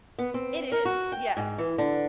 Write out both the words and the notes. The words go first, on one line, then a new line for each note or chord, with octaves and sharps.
It is, yes,
B3
C4
A#4
F#4
G5
G#2
E3
D3